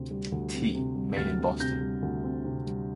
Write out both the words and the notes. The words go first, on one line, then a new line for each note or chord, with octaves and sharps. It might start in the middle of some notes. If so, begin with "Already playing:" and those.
T. Main in Boston.
Already playing: D2 C3 C4
G3
D2
C4
C3
G3
D2 F6 A6
C4
C3 G6 A#6
G3
D2
C4
C3
G3